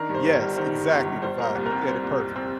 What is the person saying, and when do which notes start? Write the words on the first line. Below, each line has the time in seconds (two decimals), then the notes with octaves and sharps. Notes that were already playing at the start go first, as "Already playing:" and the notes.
Yes, exactly the vibe, you said it perfectly.
Already playing: D#3 D4 A#4
0.09 G2
0.15 C5
0.25 G1
0.36 G3 A#4
0.57 D#3 C5
0.73 G2
0.90 G1
1.06 G3
1.22 G3 C5
1.38 A#2 A#4
1.44 C5
1.55 C2
1.66 A#4
1.71 C4
1.87 G3 C5
2.03 A#2
2.20 C2
2.36 C4